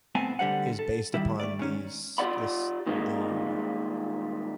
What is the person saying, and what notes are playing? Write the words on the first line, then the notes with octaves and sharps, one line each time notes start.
is based upon these this the
A2 A3 B3 C4 G#5 A5
D3 G3 C5 F#5
A4
D#3 G3 E4
A3 D5
G#2 D#3 C#4
F4 G4 A#4 D5 F#5 B5
A#2 D#3 G3 G#3 A#3